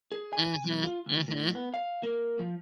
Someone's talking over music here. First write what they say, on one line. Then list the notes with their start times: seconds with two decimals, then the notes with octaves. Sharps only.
Mhm, mhm.
0.12 G#4
0.33 G#5
0.64 B1
0.84 F4
1.06 D2
1.28 A2
1.55 B3
1.74 F5
2.03 A#3
2.39 F3